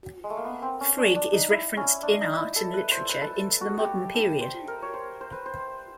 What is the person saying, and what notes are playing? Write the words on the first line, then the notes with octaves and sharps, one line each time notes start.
Frigg is referenced in art and literature into the modern period.
G#3
A3
A#3
B3
C4
C#4
D4
D4
D#4
E4
C#4
D4
D#4
E4
A4
B4
C5
B4
A4
F#4
G4
A4
C5
A#4
C#5
C5
C5
B4
C5